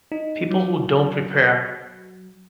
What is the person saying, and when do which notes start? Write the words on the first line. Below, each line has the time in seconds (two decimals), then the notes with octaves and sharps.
people who don't prepare
0.12 D#4
0.51 F#3